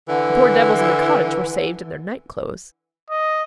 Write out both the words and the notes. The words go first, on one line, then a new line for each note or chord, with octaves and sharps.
The poor devils in the cottage were saved in their night clothes.
D3 E3
D#5